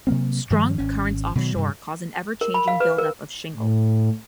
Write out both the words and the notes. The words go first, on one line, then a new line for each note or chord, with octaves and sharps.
Strong currents offshore cause an ever-changing build-up of shingle.
C3 F#3 A#3 C4
G2 D#3 F3 G3
G#1 C#4
B2 D#3 F3 F#3
G2 C3
A#4
B5
F5
B4
A#4
A2